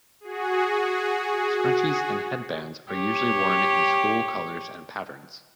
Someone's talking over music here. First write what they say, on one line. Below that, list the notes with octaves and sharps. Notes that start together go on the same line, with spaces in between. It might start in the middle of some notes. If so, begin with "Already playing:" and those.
Scrunchies and headbands are usually worn in school colors and patterns.
F#4 G#4
G4 C#5